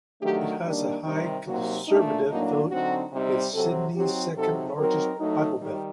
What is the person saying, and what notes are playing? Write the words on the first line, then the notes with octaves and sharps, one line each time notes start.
It has a high conservative vote and is Sydney's second largest bible belt.
D#3 F#3 A3 D4 G4
D#3 G3 A#3 D4
C3 D#3 G3 D#4
C3 F#3 A#3 D#4 F#4
A#2 A3 D4 D#4
A2 F#3 A#3 D4 D#4
D3 F#3 C4 D#4 F#4
C3 G3 C4 D#4
C3 F#3 C4 A4
F#3 C4 D#4 G4
C3 F#3 C4 D#4 A4
F#3 C4 D#4 A#4
F#3 A3 D#4
D#3 G3